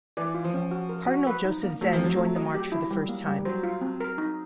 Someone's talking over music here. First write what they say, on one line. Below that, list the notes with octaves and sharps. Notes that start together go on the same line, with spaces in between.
Cardinal Joseph Zen joined the march for the first time.
E3 D5
F4
F3
C#4
F#4
A#4
F#4
B4
D#4
A#3
F#3 A3
F3
F#3 C4
A3
D#5
G4
E4
G3
A#3
G3
F#3 C5
F4
C4
A#4
D#4